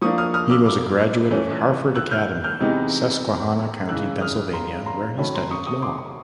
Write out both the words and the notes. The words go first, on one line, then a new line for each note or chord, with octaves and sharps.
He was a graduate of Harford Academy, Susquehanna County, Pennsylvania, where he studied law.
F3 A#3 D4 C#6 D#6
D#6 F6
D#6 F6
D6 E6
D6 E6
E3 A3 C#4
E6 F#6
F6 G6
F6 G6
C3 E3 G#3 B3 D#4
C#3 E3 G#3 E6 F#6
D#6 F6
A#5 C6
A#5 C6
D#3 F#3 A3 C#4 A5 B5
A#5 C6
C#6 D#6
C#6 D#6
C6 D6